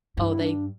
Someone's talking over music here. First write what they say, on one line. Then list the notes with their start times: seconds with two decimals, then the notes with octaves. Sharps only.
Oh, they
0.17 G2 E4
0.40 D4